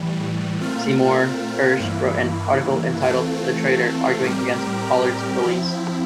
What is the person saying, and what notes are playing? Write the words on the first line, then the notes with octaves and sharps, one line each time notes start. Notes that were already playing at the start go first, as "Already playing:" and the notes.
Seymour Hersh wrote an article entitled "The Traitor" arguing against Pollard's release.
Already playing: A2 E3 G3
A#2 A3 C4 F4 A#4
G2 E3 A#3 E4
E3 A3 C4 F4 A4
A2 G3 C4 G4 A#4
F3 C4 E4